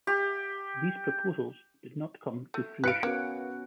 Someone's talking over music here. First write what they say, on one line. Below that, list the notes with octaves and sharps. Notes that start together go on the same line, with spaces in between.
These proposals did not come to fruition.
G4
A3
B4 F5 F#6 C#7 D7
A#3 B3 C#4 F#4